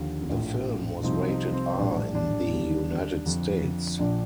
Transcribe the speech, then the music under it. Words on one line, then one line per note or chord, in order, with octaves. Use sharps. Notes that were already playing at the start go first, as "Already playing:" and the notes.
The film was rated R in the United States.
Already playing: D#2 D3 F3
A#1 A2 F3
C2 C3 F3 C4 D#4
C4 D#4
C4
A#1 A2 G3 D4
D4
D#2 D3 G3
F2 D3 F3
A#1 A#2 F3 D4